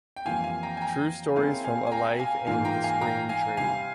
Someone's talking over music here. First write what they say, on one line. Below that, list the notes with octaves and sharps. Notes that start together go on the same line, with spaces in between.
True Stories From A Life in the Screen Trade.
G5
F2 E3 G3 A#3 F4 F5 G#5
F5 G#5
G5 A#5
G#5
G5 A#5
G#3 C4 E4 A#4 C#5 F5 G#5
F5 G#5
G#5
G5 A#5
F5 G#5
G#2 E3 A#3 F4 A#4 F5 G#5
G5 A#5
F5 G#5
G5 A#5
F5 G#5
C3 G3 C4 E4 F5 G#5